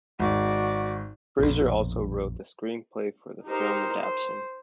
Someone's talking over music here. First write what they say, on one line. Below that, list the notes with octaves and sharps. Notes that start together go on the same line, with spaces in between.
Fraser also wrote the screenplay for the film adaptation.
G#1 F#4 D5
A#1 F2 B2
D#4 G4 A#4 C5
C5